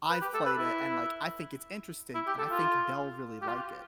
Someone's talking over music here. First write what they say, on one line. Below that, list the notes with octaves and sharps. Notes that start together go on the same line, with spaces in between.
I've played it, and, like, I think it's interesting, and I think they'll really like it,
B4
G4
A4
B4
E4
E4
G4
A4
F4
G4
F4